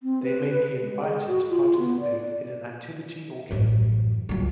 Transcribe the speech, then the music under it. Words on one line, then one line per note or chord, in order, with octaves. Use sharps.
They may be invited to participate in an activity or game.
C4
B4
G#3
G#4
F#4
F4
B3
D5
A1 F#2
C#2 F#3